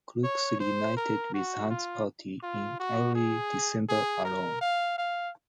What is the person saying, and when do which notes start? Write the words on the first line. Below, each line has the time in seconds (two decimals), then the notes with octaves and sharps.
Crooks reunited with Hunt's party in early December alone.
0.24 C#5
0.60 C5
0.97 A#4
1.34 F#4
1.70 F4
2.43 F4
2.80 F#4
3.15 G#4
3.89 G#4
4.25 A#4
4.61 F5
4.98 F5